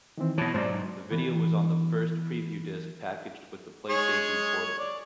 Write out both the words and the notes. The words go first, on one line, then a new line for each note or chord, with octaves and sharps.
The video was on the first preview disk packaged with the PlayStation Portable.
D#3 E3 C4
B2 E3 C#5 A5
G#2 F#3 C5 D5
E3 B3
G#3 G#4 C#5
D5